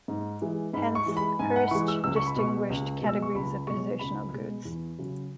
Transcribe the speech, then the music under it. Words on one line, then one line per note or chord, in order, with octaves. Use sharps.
Hence, Hirsch distinguished categories of positional goods.
G#2
E3 G#3
G#2 B5
C#6
E3 G#3
B5
G#2 G#5
F#5
B5
E3 G#3 C#6
E6
C#2 E6
C#6
B5
B2 G#3 C#6
C#2
B2 G#3
E6
C#6
C#2 B5
B2 G#3 C#6
C#2 B5
B2 G#3
E2
C#3 F#3